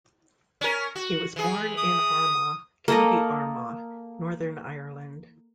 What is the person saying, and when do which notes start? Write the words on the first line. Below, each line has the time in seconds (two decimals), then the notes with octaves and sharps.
He was born in Armagh, County Armagh, Northern Ireland.
0.61 C#4 A#4
0.96 F#4
1.36 E3 G#4
1.78 D#6
2.88 A#3 A4 D#5